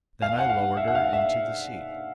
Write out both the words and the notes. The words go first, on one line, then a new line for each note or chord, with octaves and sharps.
Then I lowered her into the sea.
F5
F#5
F5
E5
F#5
F5
E5